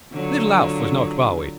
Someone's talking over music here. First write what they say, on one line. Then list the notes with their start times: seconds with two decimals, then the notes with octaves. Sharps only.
Little Alf was knocked bawways.
0.12 D3 F#3 F4